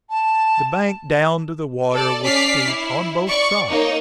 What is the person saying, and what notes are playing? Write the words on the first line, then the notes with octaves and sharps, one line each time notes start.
The bank down to the water was steep on both sides.
A5
A4 D5
C#4 D5 D6 F6 B6 C7
E4
D5 C#6
A#3 D#4 C#5